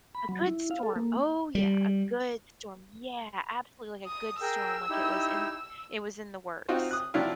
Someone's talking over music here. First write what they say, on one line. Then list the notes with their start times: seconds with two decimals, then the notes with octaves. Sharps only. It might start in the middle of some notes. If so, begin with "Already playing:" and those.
A good storm. Oh, yeah, a good storm. Yeah, absolutely, like, a good storm. Like, it was in it was in the works.
0.15 B5
0.29 F#3
0.47 E4
0.71 F5
0.83 A4
0.96 A#3
1.55 G3
4.06 D#6
4.41 G#4 A#4 G5 E6
4.90 D#4 E4 G4
6.69 C4 D#4 F4 F#4 C5
6.91 D#6 F#6
7.14 C3 F3 F#3 D4 E4 F4